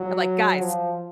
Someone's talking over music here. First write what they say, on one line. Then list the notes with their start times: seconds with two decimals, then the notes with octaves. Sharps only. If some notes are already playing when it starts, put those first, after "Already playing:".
I'm like, "Guys,
Already playing: F#3
0.59 F3